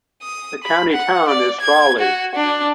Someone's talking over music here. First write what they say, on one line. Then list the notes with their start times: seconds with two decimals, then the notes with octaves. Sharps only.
The county town is Tralee.
0.23 D#6
0.64 B5
0.92 F#5
1.29 D5
1.61 G#6
1.99 F#4
2.35 D4